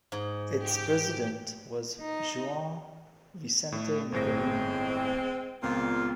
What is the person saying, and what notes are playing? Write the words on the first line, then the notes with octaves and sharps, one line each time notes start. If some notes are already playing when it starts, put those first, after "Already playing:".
Its president was Juan Vicente Nicolini.
G#2
G4
D#4
A2 A3
G1 A2 G#3 C4 A#6
C#2 A#2 B3 C4 F4